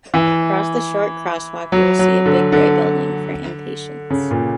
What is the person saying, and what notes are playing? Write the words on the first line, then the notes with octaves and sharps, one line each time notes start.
Across the short crosswalk, you will see a big grey building for inpatients.
E3
F#3
F#3
D3
D3
C#3
A#2